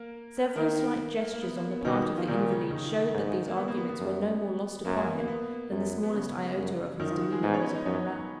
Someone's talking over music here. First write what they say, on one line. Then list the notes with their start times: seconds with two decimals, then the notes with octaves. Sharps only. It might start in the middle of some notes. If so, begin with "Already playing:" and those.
Several slight gestures on the part of the invalid showed that these arguments were no more lost upon him, than the smallest iota of his demeanour was upon Ralph.
Already playing: A#3 A#4
0.56 D#3 A#3 A#4
1.32 A#3
1.42 B3
1.56 A#3
1.71 B3
1.81 C#4
1.85 B2 D#3 D#4
1.96 F#3 F#4
2.17 F3 F4
2.28 A#2 D#3 D#4
2.49 C#3 C#4
2.71 D#3 D#4
3.14 G#2
3.48 A#3
3.56 B3
3.68 A#3
3.78 B3
3.89 B3
3.99 F#2
4.85 F#2 A#3
4.97 A#3
5.07 B3
5.18 A#3
5.28 B3
5.71 F#2
6.03 B3
6.14 C#3 C#4
6.57 F#2
6.99 F#2 D#3 D#4
7.10 F3 F4
7.21 F#3 F#4
7.32 G#3 G#4
7.43 G#2 B3 B4
7.53 C#4 C#5
7.60 B4
7.64 C#4 C#5
7.75 D#4 D#5
7.86 F#2 C#4 C#5